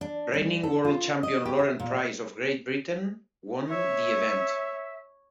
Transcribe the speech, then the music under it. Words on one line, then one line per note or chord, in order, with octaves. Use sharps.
Reigning World Champion Lauren Price of Great Britain won the event.
D4
G3
A4
F4
D#5
G4
E5
A#2
C#5 E5